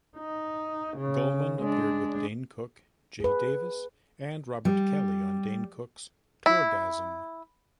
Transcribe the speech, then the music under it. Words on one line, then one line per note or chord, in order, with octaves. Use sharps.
Gulman appeared with Dane Cook, Jay Davis, and Robert Kelly on Dane Cook's "Tourgasm".
D#4
C#3
G#3 D4
G#4 B4
G3
E4